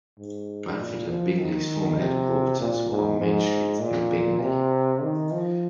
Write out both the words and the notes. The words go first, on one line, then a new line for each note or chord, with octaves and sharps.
Bradford and Bingley's former headquarters were on Main Street in Bingley.
G#2
A#2
F3
D#3
C3
A#2
G#2
G#2
A#2
C3
D#3
F3